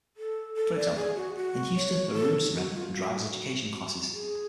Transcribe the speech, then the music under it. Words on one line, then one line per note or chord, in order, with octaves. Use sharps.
For example, in Houston there are rooms to rent and Drivers Education classes.
A4
A4
D5
G#4
F#4
F#4
C#5
A4
F#4
F4
F#4
G#4